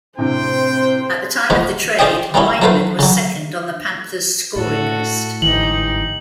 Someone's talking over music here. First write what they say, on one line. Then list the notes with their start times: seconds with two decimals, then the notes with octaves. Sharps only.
At the time of the trade, Wideman was second on the Panthers' scoring list.
0.18 A2 C3 C4 D4 C5 G5
1.50 G#2 F3 B3
1.99 F4 G#4 C5 D5 D#5 G5
2.34 G3 A#3 B3 C#4 E4
2.62 F#3 A3 F4 B4 C5
2.99 C#3 F#3
4.56 A2 F#4 A4
5.42 G1 G#2 E3 D#4 G4 F#7